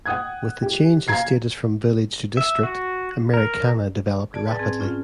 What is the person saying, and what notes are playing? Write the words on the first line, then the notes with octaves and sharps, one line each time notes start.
With the change in status from village to district, Americana developed rapidly.
F#5 G5 D#6 F#6 G#6
G4
F5 G#5 A#5 G#6 C7
E5
F#4
A#4
G#4 D5 A5
G#2 B4 G#5 A5 A6
C4 G#4
C#4 F4